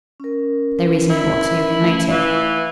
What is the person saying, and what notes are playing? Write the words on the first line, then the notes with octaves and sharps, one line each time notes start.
There is no ulterior motive.
C#4 A#4
E4
A3 C#4
E3 F5